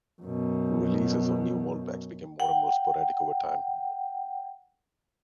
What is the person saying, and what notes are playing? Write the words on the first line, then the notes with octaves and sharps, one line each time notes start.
Releases of new mold packs became more and more sporadic over time.
F#2 B2
F#5 G5